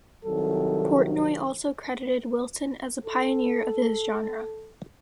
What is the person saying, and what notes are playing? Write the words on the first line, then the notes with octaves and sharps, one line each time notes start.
Portnoy also credited Wilson as "a pioneer of his genre".
C2 C3 D#3 F#3 A4
A4